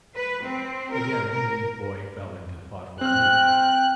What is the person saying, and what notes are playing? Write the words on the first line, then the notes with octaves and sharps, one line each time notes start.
Again the boy fell into a thoughtful mood.
B4
C4
A#4
A#4
C4 G5 F6 F#6